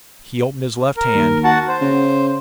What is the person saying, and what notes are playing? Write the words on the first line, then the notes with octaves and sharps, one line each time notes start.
He opened his left hand.
A#4
D#2
F#4 F#5 A5
C5
C#3